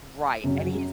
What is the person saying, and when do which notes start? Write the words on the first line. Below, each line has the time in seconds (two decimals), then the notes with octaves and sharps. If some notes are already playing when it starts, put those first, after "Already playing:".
Right, and he's
0.43 F#2 C#3 F#3 C#4